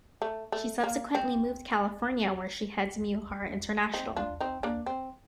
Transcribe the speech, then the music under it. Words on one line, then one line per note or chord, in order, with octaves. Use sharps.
She subsequently moved California where she heads Miyohara International.
A3
A3
A#3
C4
C4 D#4
D4 F4
C4 D#4
A#3 D4
C4